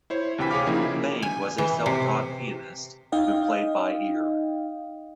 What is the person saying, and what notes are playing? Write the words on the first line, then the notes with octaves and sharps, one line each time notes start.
Fain was a self-taught pianist who played by ear.
E4 C5 C#5
D2 C3 E3 G5 B5 B6
G#4 C#5 F5 D6 F6
C#3 F3 A#3 D#4 E4
G#5
E3
C3
D#4 D#5 F5 G5